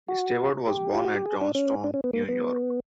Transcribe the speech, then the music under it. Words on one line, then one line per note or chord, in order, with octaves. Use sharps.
Stewart was born at Johnstown, New York.
F#4
G4
F4
F#4
G4
G#4
D4
C#4
D4
C#4
B3
A#3
B3